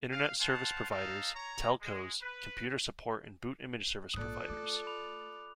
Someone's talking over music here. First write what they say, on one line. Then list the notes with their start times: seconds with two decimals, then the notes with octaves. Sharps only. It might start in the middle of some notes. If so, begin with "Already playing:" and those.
Internet service providers, telcos, computer support and boot image service providers.
0.10 F5
0.40 C5 F5 F#5 A5
0.89 D#4 A4 F5
1.34 C#5 A#5
1.81 G#3
2.21 B4
4.14 A#1 G#2 F4 A4 D5 D#6 F#6
4.50 A3 D6
4.87 B5 D6 F7